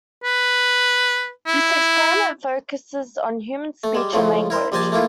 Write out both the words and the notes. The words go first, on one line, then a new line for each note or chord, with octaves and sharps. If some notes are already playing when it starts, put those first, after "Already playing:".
This experiment focuses on human speech and language.
B4
E4
A3
G3 G#3
A2 C#3 F3 G#3 A3
E4 A#4 C5
A#1 G3 C5 D#5 G#5 A5
A3 A#3 E4 F4